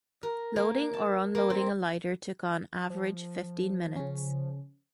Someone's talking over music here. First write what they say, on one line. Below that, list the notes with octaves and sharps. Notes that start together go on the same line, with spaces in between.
Loading or unloading a lighter took on average fifteen minutes.
A#4
A#3
A5
A#3
C4
F3
C#3 C#4